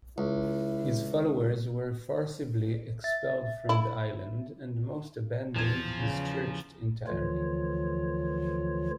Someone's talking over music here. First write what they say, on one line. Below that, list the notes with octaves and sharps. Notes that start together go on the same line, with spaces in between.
His followers were forcibly expelled from the island, and most abandoned his church entirely.
C#2 E4
E5 A6
E4
E2 F3 G#6
C#3
D2 D3 E3 F3 F4 C#5